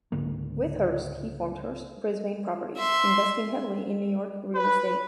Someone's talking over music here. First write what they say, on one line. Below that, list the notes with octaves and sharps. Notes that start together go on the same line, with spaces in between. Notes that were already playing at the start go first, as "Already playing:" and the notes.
With Hearst, he formed Hearst-Brisbane Properties, investing heavily in New York real estate.
C#2 G#2 D3 A#3
E5 C6
B4